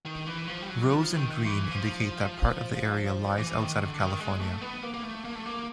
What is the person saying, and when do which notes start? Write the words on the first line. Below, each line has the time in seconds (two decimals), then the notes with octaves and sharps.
Rows in green indicate that part of the area lies outside of California.
0.06 D#3
0.27 E3
0.48 F3
0.62 G3
0.69 F#3
0.89 F3
1.16 D#3
1.45 E3
1.71 F3
3.38 E3
3.58 D#3
3.80 D3
4.01 D#3
4.20 G#3
4.41 A3
4.62 B3
4.83 A#3
4.94 A#3
5.03 A3
5.25 A#3
5.35 A3
5.46 A#3